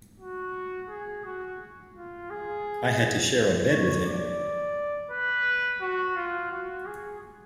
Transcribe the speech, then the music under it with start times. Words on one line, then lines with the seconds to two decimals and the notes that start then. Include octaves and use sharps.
I had to share a bed with him.
0.19 F#4
0.89 G#4
1.25 F#4
1.95 F4
2.30 G#4
3.71 C#5
4.06 D5
5.11 B4
5.82 F#4
6.16 F4
6.51 F#4
6.86 G#4